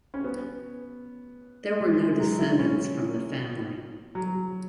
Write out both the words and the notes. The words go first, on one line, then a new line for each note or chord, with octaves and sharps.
There were no descendants from the family.
C#4
B3
G#3
G#3
F#3
E4
C#4
F#3